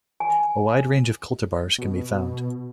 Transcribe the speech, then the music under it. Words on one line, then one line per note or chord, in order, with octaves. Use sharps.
A wide range of cultivars can be found.
G#5
B2